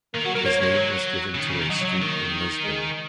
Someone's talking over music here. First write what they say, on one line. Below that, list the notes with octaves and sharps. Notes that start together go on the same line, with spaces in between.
His name was given to a street in Lisbon.
D#3 A#3
F#3 F#4
F#3 A#4
A#3 C#5
G#3
D#3
F#3
C#3
D#3
C#3
D#3
F#3 D#5
C#5
F#3
D#3 A#3
G#3